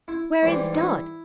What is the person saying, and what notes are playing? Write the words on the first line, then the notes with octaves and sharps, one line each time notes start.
"Where is Dot?"
E4
G#2 E3 G3
D#4
E4